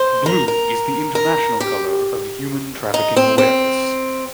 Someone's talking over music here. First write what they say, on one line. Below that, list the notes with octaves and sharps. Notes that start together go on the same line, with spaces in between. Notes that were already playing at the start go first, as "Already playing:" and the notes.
Blue is the international color of human trafficking awareness.
Already playing: C5
A#4
A#4
A#4
G4
D#4
C4
C4